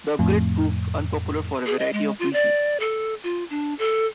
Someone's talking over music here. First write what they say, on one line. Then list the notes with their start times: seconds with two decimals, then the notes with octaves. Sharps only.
The upgrade proved unpopular for a variety of reasons.
0.19 F2 A2
1.66 G#4
1.79 D#5
1.93 G#3
2.19 F4
2.33 D5
2.80 A4
3.24 F4
3.50 D4
3.79 A4